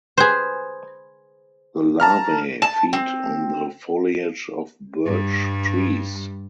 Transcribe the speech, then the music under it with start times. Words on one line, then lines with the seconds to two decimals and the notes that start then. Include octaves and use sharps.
The larvae feed on the foliage of birch trees.
0.17 G#4 B4 C5
2.00 A5 A#5 F6
2.62 A5
2.93 C4
5.06 G2 G3